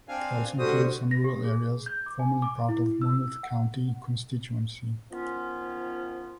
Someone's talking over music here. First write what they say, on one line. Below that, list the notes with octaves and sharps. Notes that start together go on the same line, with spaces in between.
It also included some rural areas formerly part of Monmouth county constituency.
C4 D4 F5 G#5
D2 D3 G3 F#4 C5 D#6
A#6
G4
G#4
G6
D6
G#5
D6
E4
E6
F#5
D#3 F3 B3 C#4 F4